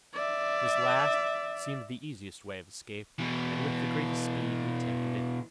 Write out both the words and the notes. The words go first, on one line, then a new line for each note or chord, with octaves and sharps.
This last seemed the easiest way of escape, and with the greatest speed he attempted it.
D5 E5
B2 E3